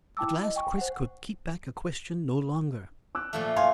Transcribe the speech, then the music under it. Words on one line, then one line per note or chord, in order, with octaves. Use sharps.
At last Chris could keep back a question no longer.
E4 G5 A5 D6 E6
D#5
G5 G#5 C#6
C5 F#5
D6 E6 F#6
A#2 F3 A3
C#5 F5 G#5 C6